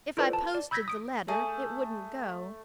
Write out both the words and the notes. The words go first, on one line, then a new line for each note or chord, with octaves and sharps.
If I posted the letter, it wouldn't go.
E4 F4 A4 B4 C5 D5
A5
D5
B5 E6 G6 G#6 A#6 B6
D#6 D7
A3 G#4